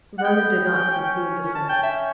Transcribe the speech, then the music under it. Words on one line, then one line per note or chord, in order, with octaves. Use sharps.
Vernon did not conclude the sentence.
F#5
B3 G5
C#4
C#4 A5
G5
E5